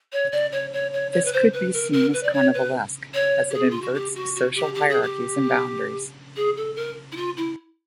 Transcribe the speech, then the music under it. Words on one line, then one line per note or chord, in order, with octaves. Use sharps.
This could be seen as carnivalesque, as it inverts social hierarchies and boundaries.
C#5
D5
C#5
C#5
C#5
C#5
B4
C5
B4
A#4
A#4
B4
D5
C#5
B4
C#5
G4
G#4
F4
F#4
G4
F#4
F#4
G4
G4
G#4
G4
G#4
A4
A#4
E4
F4
E4